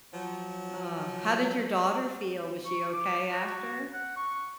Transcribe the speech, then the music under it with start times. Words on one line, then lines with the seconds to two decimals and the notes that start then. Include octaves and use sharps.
Ugh. How did your daughter feel? Was she okay after?
0.14 F3 F#3
2.66 C#6
2.93 D6
3.31 F#4
3.93 F#5
4.16 C#6